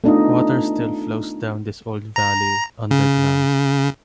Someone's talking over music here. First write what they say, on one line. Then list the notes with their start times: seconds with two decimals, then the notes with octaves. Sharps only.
Water still flows down this old valley-underground.
0.04 A3 B3 D4 D#4 F4 D#5
2.16 A#5
2.91 C#3